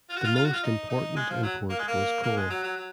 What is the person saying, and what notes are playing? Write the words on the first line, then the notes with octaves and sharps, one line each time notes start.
The most important import was coal.
F4
F#4
F4
F4
F#4
F4
D#4
D#4
G#3
F3
F#3
A#3
G#3
A#3
A#3
G#3
F#3
F#3
F#3